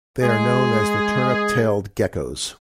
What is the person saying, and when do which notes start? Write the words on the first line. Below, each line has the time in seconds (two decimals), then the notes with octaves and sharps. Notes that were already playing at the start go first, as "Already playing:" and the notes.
They are known as the turnip-tailed geckos.
0.23 G#3 G#4